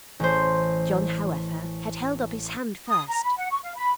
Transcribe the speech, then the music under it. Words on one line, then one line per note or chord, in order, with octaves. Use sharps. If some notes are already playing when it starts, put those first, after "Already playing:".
John, however, had held up his hand first.
A1 C5
D#6
A#5
B5
F#5
C#6
F5
B5